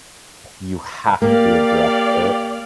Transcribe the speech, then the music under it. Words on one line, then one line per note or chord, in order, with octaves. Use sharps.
you have to address it.
A#3 G4 D5 F5